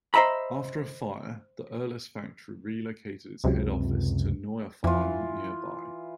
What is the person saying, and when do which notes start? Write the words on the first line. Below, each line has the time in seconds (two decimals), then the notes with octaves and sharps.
After a fire, the Erlus factory relocated its head office to Neufahrn nearby.
0.14 C5 D#5 E5 A#5 B5
3.44 C#2 F#2 C3
4.84 F2 E3 F4